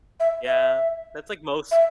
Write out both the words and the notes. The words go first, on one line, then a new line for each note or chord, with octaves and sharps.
Yeah, that's like most
E5
E5
E5